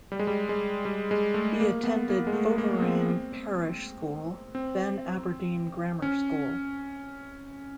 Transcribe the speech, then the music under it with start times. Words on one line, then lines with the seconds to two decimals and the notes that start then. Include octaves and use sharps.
He attended Foveran Parish School then Aberdeen Grammar School.
0.12 G3
0.19 G#3
0.27 G3
0.49 G#3
0.85 G3
1.11 G#3
1.34 A3
1.60 A#3
1.84 B3
2.09 A#3
2.27 G#3
2.33 A3
2.58 A#3
2.82 C4
4.55 C4
6.02 C#4